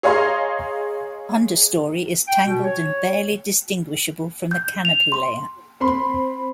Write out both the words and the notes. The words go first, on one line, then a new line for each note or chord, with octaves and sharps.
Understorey is tangled and barely distinguishable from the canopy layer.
G#4 C#5 D#5 F5 A#5 C6
G5
B2
C#5
G6
F7
C6
C4 B5 C6